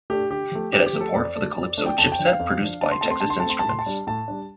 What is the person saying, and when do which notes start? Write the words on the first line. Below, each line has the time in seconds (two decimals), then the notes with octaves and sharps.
It has support for the Calypso chipset produced by Texas Instruments.
0.10 A3 D4 G4
0.30 D3 G4
0.52 F3 A3
0.72 D3 G4
0.86 G4
0.93 F3 A3
1.01 A4
1.14 F2 D5
1.35 D3 A3 D4
1.56 F2
1.77 D3 A3 D4
1.86 G5
1.98 F2 A5
2.12 G5
2.19 F3 D4
2.26 F5
2.40 F2
2.60 F3 D4
2.81 D3 A5
2.92 C6
3.01 A3 C4 A5
3.11 C6
3.20 D3 A5
3.30 C6
3.40 A5
3.45 A3 C4 C6
3.59 A5
3.65 A2 C6
3.79 A5
3.86 G3 D4
4.07 A2 A5
4.28 G3 D4